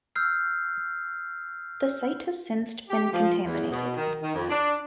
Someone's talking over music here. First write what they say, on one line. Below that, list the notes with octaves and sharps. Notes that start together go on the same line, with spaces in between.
The site has since been contaminated.
E6 F6 G6 C7
G4
F3
E2
B2
D#3
D#3
F2
D4